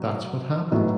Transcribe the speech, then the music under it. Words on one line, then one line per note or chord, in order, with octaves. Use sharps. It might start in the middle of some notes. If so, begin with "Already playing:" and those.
That's what happened.
Already playing: B2 F#3
A2 F#3 B3 D#4